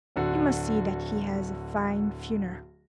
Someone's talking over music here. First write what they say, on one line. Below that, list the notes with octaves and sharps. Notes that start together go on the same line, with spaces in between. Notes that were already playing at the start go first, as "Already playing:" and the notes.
You must see that he has a fine funeral.'
D1 D3 F#4